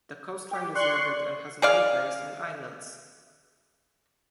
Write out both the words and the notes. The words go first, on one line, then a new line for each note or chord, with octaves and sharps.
The coastline is rugged and has many bays and islands.
G4
D5 C6 C#6 F#6
G#4 D5 F5